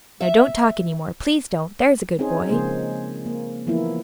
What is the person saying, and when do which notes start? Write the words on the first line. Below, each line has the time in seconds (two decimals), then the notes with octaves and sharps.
Now don't talk any more--please don't; there's a good boy.
0.21 E5
2.19 C4 C#4 D#4 G#4 C5
2.49 C#3 F3 G#3 A#3 G#4 C5
3.26 A#3
3.67 E3 F3 A#3 B3 E4